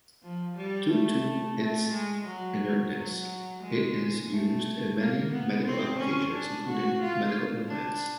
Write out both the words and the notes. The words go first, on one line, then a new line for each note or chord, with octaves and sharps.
Due to its inertness, it is used in many medical applications including medical implants.
F3
G3
A3
A3
G#3
F#3
F#3
G#3
A3
A#3
B3
C4
C#4
D4
F#4
F4
D4